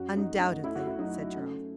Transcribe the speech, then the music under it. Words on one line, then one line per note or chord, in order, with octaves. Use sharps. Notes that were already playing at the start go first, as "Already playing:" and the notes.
"Undoubtedly," said Charles.
Already playing: F#2 F#4
D#4
A3
D#4
A3 E4
F#4
E4
F#3 D#4
A3 C#4